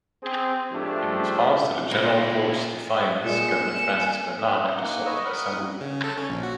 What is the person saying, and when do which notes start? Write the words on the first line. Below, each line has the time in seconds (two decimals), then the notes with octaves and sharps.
In response to the General Court's defiance, Governor Francis Bernard dissolved the assembly.
0.23 C4 G#4
0.72 A2 F3 G#3 A3 D4 G4
1.91 A#2 A#3 E4
3.25 A#2 G#3 G#5 C#7 E7
4.76 A#3 D#4 F#5
5.06 B4 C#5 D#5 E6
5.25 A#4 F#5 B5 D#6
5.81 C#3
6.04 A4
6.18 C#4
6.30 A#1
6.43 F#4